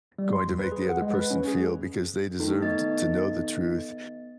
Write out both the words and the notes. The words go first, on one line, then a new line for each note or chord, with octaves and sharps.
going to make the other person feel because they deserved to know the truth.
G3
C6
E2
B4
G#4
F#5
G#3
B4
C#4
G#4
D#3 A3
B3 D#5 A6